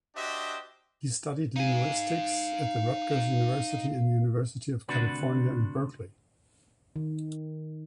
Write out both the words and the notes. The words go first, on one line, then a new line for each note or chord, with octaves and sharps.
He studied linguistics at the Rutgers University and University of California in Berkeley.
D4 F#4 G4 C5 D#5 E5
D#4 F5 G#5
D2 C3 D4 F#4 B4 B5
D#3